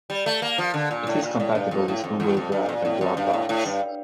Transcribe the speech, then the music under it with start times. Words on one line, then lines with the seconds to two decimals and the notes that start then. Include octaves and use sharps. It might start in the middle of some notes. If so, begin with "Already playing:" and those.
It is compatible with Google Drive and Dropbox.
0.10 G3
0.26 A3
0.42 A#3
0.58 F3
0.74 D3
0.91 A#2
1.07 A2
1.23 A#2
1.40 A2
1.55 G2
1.71 F2
1.88 A2
2.04 F2
2.20 E2
2.37 F2
2.52 G2
2.69 A#2
2.85 A2
3.01 F2
3.17 G2
3.33 A2
3.49 A2
3.66 G2